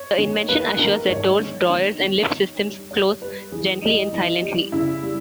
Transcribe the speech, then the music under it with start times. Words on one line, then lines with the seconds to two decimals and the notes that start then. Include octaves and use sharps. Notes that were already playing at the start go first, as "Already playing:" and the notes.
The invention assures that doors, drawers and lift systems close gently and silently.
Already playing: C#5
0.18 D#3
0.48 A#3 B4
0.79 D#3 A#4
1.08 G#2 C#5
1.39 D#3
1.70 D#3
1.99 D#3
2.30 D#3
2.61 G3
2.91 G3 C#5
3.21 G3 B4
3.52 E3 G#4
3.82 G3 D#4
4.12 E3
4.42 G3
4.72 C#3 E4
5.03 G3